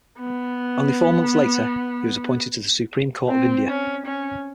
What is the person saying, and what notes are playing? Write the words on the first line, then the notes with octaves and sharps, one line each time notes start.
Only four months later, he was appointed to the Supreme Court of India.
B3
C4
C#4
C#4